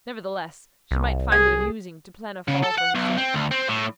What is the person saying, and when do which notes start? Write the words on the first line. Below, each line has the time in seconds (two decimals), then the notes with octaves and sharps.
Nevertheless, she might find it amusing to plan a fall for herself.
0.91 C2
1.32 G#4 G#5
2.48 C#3
2.64 A4
2.78 F#5
2.95 B1
3.17 C4
3.34 D2
3.52 C4
3.69 A2